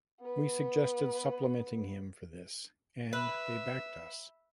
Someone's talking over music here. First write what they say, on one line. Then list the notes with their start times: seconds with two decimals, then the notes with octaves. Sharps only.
We suggested supplementing him for this and they backed us.
0.21 B3 B4
3.13 B4 E5